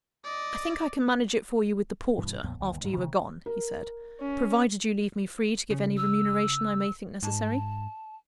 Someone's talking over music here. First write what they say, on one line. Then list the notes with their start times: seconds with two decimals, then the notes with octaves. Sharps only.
"I think I can manage it for you with the porter, after you are gone," he said, "provided you leave me free to give any remuneration I may think necessary."
0.24 D5 D#5
2.18 G2 B2 E3
2.43 B1 F2 A#2 B3
2.60 G1 D#2
2.84 D2 G#2 F#3
2.97 C3 D#3 E3 A3
3.46 A#4
4.21 C#4
5.70 C#3
5.97 E6
7.23 G#2 A5